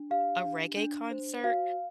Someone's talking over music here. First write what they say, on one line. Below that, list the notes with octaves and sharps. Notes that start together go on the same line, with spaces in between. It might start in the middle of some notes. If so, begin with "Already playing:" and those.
a reggae concert,
Already playing: D4
G4 F5
D4
D4
C5
F#4 F5